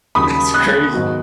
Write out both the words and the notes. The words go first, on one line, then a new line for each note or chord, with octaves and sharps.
That's crazy.
D#2 C#3 F#3 B5 D#6
D#6 F#6
G#2 D#3 F#3 B3